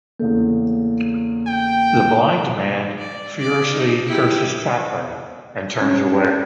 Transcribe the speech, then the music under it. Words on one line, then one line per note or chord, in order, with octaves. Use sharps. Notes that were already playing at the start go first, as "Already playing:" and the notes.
The blind man furiously curses Chaplin and turns away.
E2 C#3 A3 A#3
G5
D5
D5 D6
D#4 G#4
E4 G4
C#4